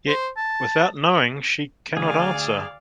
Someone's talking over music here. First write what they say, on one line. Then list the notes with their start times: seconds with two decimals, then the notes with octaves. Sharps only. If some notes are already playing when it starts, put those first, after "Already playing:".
Yet without knowing she cannot answer.
0.08 C5
0.37 A5
1.97 D2 G#4 D5 F5